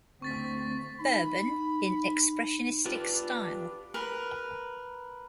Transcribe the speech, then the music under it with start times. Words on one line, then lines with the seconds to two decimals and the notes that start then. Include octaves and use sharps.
Berben in expressionistic style.
0.22 D2 C4 C#6 A6 B6
1.00 D#4 B5
2.86 D4 F4 G4 B4
3.94 A#4 B4